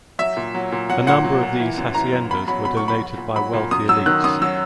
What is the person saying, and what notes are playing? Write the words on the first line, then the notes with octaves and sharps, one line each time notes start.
A number of these haciendas were donated by wealthy elites.
F#3 E5
A#2
F#3
A#2
F#3 F#5
A#2 F#5
F#3
A#2
E3
F#2
E3 A#5
F#2
E2 B5
F#3 B5
B2 B5
C#6
E2 B5
F#3
A#2
F#3 B5
A#2
F#2 D#6
F#3 E6
D#3 F#6
F#2 D#6
F#3 E6